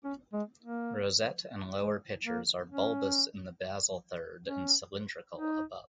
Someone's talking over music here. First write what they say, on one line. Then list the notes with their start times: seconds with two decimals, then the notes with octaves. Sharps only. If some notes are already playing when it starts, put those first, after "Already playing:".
Rosette and lower pitchers are bulbous in the basal third and cylindrical above.
0.04 C#4
0.33 G#3
0.63 A#3
1.81 G#3
2.26 A#3
2.70 C#4
4.47 C#4
5.36 D#4